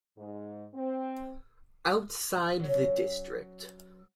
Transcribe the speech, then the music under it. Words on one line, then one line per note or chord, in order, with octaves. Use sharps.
Outside the district.
G#2
C4
F#3 C#4